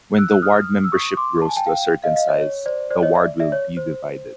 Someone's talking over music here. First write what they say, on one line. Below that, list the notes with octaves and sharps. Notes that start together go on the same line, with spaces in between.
When the ward membership grows to a certain size, the ward will be divided.
E6 F#6
F#6
D#6 F6
E6
C#6 D#6
C6 D6
A5
G#5
G5 A5
F5 G5
D#5 F5
D#5 F5
C#5 D#5
C#5
C5 D5
C5 D5
C#5 D#5
D5 E5
D5 E5
C#5
C5